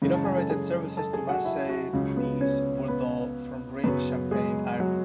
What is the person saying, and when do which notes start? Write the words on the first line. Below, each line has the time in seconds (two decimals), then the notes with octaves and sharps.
It operated services to Marseille, Nice and Bordeaux from Reims Champagne Airport.
0.02 F#2 C#3 E3 G#3
0.14 A5
0.25 G#5
0.36 A4 A5
0.50 G#4 G#5
0.97 A4 A5
1.13 G#4 G#5
1.29 F#4 F#5
1.45 E4 E5
1.69 F#4 F#5
1.93 C#2 C#3 F#3
2.16 B3 B4
2.41 C#4 C#5
2.88 B3 B4
3.83 F#2 C#3 F#3 B3 B4
4.31 G#3 G#4
4.80 F#3 F#4